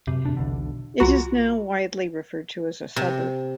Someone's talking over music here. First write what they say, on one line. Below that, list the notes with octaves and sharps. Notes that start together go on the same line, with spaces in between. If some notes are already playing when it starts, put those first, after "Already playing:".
It is now widely referred to as a suburb.
F#2 C3
D1 E2 D4
B1 E2 D3
C2 F4 F#4 A#5 B5
C3